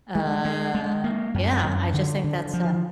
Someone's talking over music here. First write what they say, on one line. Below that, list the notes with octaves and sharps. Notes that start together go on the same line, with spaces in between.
Uh, yeah. I just think that's, um
G#3
G#3
G#3
A#3
F#2
F#2
D3
D3
F3